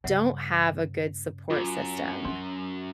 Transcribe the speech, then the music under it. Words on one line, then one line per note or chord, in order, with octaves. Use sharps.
don't have a good support system,
G2 C#3 E5 F#5
F#2 F4 D6
D4 C6